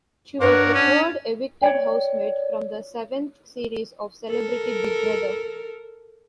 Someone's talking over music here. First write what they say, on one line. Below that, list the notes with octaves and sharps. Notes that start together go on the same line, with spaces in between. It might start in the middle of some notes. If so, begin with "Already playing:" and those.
She was the third evicted housemate from the seventh series of "Celebrity Big Brother".
G2 A#4 B4 C#5 D5 F#5
C#4 D4
C#5 D5 G5
A4 A#4